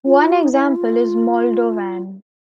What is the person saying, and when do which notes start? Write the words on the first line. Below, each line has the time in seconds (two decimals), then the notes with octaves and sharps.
One example is Moldovan.
0.06 F4
0.30 F#4
0.43 D#4
0.52 E4
0.76 F4